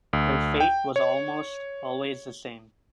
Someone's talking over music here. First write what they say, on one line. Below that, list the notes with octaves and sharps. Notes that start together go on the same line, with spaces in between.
Their fate was almost always the same.
D2
G5
C#5